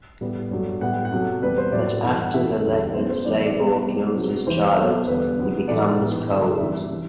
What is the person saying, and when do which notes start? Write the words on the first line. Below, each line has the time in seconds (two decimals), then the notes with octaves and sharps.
But after the leopard Sabor kills his child, he becomes cold.
0.21 A2 G3 B3
0.51 G2 F#3 A3
0.81 A2 G3 B3 F#5
0.93 G5
1.05 F#5
1.12 C3 F#3 A3
1.42 E2 C3 G3 B3 B4
1.58 C5
1.72 A2 F#3 B3 D5
2.03 G2 E3 A3
2.11 G5
2.22 F#5
2.33 C3 E3 A3 E5
2.65 E2 D3 G3 B3
2.94 F#2 F#3 B3 C5
3.10 C5
3.25 C3 E3 G3 B3 D5
3.34 E5
3.43 D5
3.56 B2 G3 B3
3.86 C3 G3 B3
4.16 C3 F#3 B3
4.47 E2 C3 E3 C5
4.77 B2 A3
5.07 E2 D3 G3 B3 B4
5.38 C3 F#3 B3
5.68 A2 E3 A3 D5
5.99 A2 E3 B3
6.29 G2 D3 F#3
6.59 C3 E3 G3 E5
6.90 C3 E3